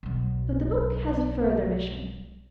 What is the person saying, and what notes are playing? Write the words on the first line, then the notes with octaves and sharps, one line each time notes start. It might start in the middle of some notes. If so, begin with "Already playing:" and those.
But the book has a further mission.
B1 F#3